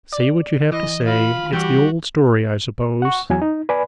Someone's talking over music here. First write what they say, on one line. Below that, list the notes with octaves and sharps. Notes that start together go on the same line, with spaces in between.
'Say what you have to say; it's the old story, I suppose?'
D5
E3 D#5
F4 B5
E3 G3 F#4 G4
F#5 C#6
E2 F#3 G#5
D#4
B4 D5 G#5 B5